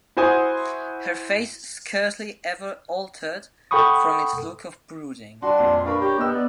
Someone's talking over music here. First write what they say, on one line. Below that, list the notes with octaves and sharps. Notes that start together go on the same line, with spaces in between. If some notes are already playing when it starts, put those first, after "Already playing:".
Her face scarcely ever altered from its look of brooding.
E4 F#4 C5 G#5 C6 D#6
A4 F#5 G5 B5 C#6 D#6
G3 D4 F#4 C6
A#1 F2 A#2
D4 F#4 A#4 B4 F5 B5
G4 C#5 G5 A#5
B3 A#4 D#5 G5 E6
D5